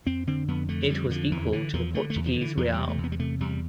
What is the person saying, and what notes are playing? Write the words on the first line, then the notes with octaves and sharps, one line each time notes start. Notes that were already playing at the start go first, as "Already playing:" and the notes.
It was equal to the Portuguese real.
F2 C4
D3 C4
F2 B3
D3 A3
F2 G3
D3 F3
E2 E3
D3 E3
E2 F3
D3 A3
A3
E2
F3
D3
E3
E2 F3
G3
C3
A3
E2
B3
G3
C3 A3
E2 G3